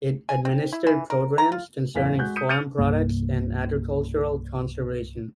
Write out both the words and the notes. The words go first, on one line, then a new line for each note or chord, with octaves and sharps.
It administered programs concerning farm products and agricultural conservation.
G#5
C4
E4
E3
A#4
A#5
F4
D1 E2 F5 B6
G#3 F#4 F#6 G6
D#6 G6 B6 C#7 D#7
F6 G6 A6 C#7 D#7 F7
C2 G2 A#3